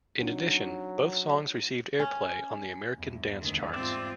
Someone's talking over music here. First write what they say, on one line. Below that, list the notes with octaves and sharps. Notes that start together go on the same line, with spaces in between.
In addition, both songs received airplay on the American dance charts.
F#3 C4 D4 D#4
C#4
E2 G2
D2 D#3
G#2 C4 F4 D5 E5